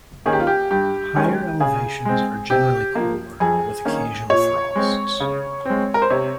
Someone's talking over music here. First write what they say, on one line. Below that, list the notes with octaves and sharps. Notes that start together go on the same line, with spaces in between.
Higher elevations are generally cooler, with occasional frosts.
D#3 A#3 C#4 G#4
G4
F4
G4
G2 G4
D#3 G#3 C#4
C#3 G#4
G#3 C4
C3 G4
F3 A#3
F2 G#4
D#3 A#3 C#4
A#2 C#5
G#3 C4
C#3
G#3 C4
A#4
C5
C3 C#5